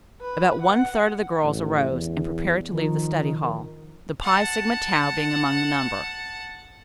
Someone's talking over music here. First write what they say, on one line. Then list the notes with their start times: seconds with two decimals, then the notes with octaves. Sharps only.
About one third of the girls arose and prepared to leave the study hall, the Phi Sigma Tau being among the number.
0.21 B4
0.62 F#5
1.43 A1
1.91 E2
2.71 D#3 F3
4.22 F#5 A5